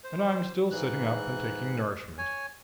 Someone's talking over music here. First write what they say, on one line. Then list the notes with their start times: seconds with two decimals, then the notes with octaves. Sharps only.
And I'm still sitting up and taking nourishment.
0.04 C5
0.71 G#2 E3 F#6
2.18 C#5 G#5